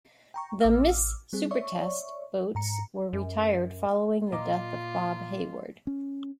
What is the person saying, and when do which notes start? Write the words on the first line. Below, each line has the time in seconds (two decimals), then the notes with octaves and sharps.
The "Miss Supertest" boats were retired following the death of Bob Hayward.
0.34 G5 A#5 C#6
0.60 A1 D6 E6 F6
1.33 G3 C4 G#4
1.51 C#5 D5 E5 C#6
2.55 G#2 A#5 C#7
3.13 F#2
4.32 A#2 F4 D#5 A#5 D6
5.87 C#4